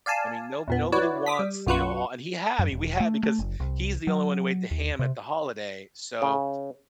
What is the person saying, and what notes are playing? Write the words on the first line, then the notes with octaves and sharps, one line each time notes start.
I mean, no nobody wants," you know, o and he had I mean, we had, because he's the only one who ate the ham at the holiday, so
D5 F5 G#5 A5
E2 A#2 B3
E4 F#4 B4 C#5 D5
D6 D#6 B6
G3
B1 F#2 F4 F#4 B4 C#6
F#2
E1
A3
A3
F#1
C2
F#3
D#2
C3
C#3